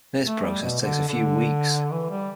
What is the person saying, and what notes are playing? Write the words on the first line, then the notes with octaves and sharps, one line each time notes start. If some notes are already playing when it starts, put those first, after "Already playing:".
This process takes a few weeks.
A3
G3
B2
D3
D3
E3
G3